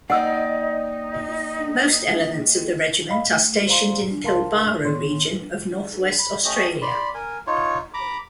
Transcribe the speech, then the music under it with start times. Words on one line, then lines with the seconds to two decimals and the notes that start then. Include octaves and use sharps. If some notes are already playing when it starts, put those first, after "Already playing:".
Most elements of the regiment are stationed in Pilbara region of north-west Australia.
0.10 A#3 D#4 D5 D#5 F#5 G5 E6
3.09 D#5 F5 B5
3.30 A3
3.67 C5 D5 F5 A#5 C6
4.11 D4
4.24 C#2 A#4 F5 A5 C6
4.84 A2 D#3 B3 C#5 C6
6.19 B5
6.45 A3 C#4 G4 D#5
6.82 D5 B5 C6
7.14 A#4 G#5
7.47 D#4 F4 C#5
7.94 A#5 B5 D6